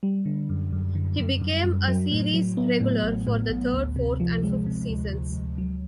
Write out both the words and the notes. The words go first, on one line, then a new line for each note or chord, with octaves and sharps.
He became a series regular for the third, fourth, and fifth seasons.
G3
D3
F#2
F#2
D3
F#2
F#2
F#2
F#3
A2
F#3
B3
A2
A1
A2
A1
D2
C3
F3
G#3
C3
D2
D2
D2
F#3